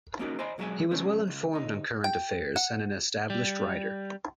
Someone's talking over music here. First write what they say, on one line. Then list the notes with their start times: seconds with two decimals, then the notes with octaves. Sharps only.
He was well informed on current affairs and an established writer.
0.19 A#3 C#4 D#4 F#4 G#4 A#4
0.39 C5 D#5 G#5 A#5 B5
0.58 B1 F#3 G#3 B3 E5 G#5
0.91 C3 F#3 G#3 C#4 A4 B4
1.28 C#2
1.53 D2 D#4
2.04 G5
2.56 F#5
3.30 G3